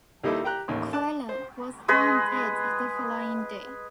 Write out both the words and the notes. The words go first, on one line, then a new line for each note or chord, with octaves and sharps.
Cuellar was found dead the following day.
D#2 G3 D#4 E4 A4 D6
G4 G5 A#5 F#6
A1 D#2
A5 D6 F#6
C5
G#3 G#4 B4 D#5